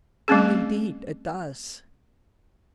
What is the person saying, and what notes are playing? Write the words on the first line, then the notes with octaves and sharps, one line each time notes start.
"Indeed it does."
G3 A3 C4 C#4 G#4